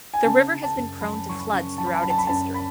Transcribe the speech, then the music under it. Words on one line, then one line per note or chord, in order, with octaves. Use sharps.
The river has been prone to floods throughout its history.
G#5
C#3 A5
C#3
A5
F#2
F#3 B5
F#3 C#6
B5
C#3
F#3 A5
B5
A5
F#3 B5
A5
B5
F#2 A5
B5